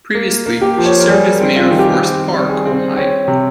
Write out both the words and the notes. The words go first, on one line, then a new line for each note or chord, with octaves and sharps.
Previously, she served as mayor of Forest Park, Ohio.
A#3
A#3
G4
F3
C#5
C5
A#4
G3 G#4
A#4
C4
F4
D#3
G4
C4
G3
G#4
C4
C5
C4 C#5
C3